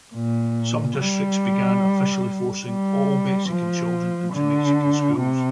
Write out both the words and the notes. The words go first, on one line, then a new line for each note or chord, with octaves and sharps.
Some districts began officially forcing all Mexican children into Mexican Schools.
A#2
G3
G3
F3
D3
C3